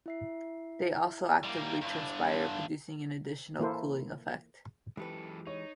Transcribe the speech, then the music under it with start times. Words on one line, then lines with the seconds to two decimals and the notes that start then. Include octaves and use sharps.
They also actively transpire, producing an additional cooling effect.
0.06 E4 E5 C7
1.44 G3 A#3
1.81 G2 D3
3.59 E3 A#3 E4 A4 C5
4.97 F#2 E3 G#3 G4 A4 B4
5.47 D#4 C#5